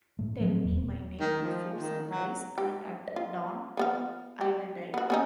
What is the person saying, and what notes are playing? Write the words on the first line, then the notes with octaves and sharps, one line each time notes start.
Tell me my name before sunrise, and at dawn, I will die.
A2 A3
F3 F#3 C4
D#1 E2
D#3
F3
D#3
F#3
G4
F4
F3 B3 F5
G4
B3 F#4
B3 C#4 D#4